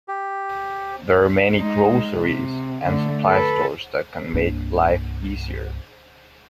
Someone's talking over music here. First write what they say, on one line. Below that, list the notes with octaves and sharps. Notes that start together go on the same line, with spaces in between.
There many groceries and supplies stores that can make life easier.
G4
G#3 D#4
C3
D3 A3
A4 B4
C2 G2 A#3 D4